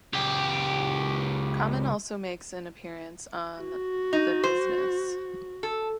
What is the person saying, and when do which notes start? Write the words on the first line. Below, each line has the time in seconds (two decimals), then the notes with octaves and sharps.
Common also makes an appearance on "The Bizness".
0.13 C#2 G4
3.60 F#4
4.13 D#4
4.44 C5
5.63 A4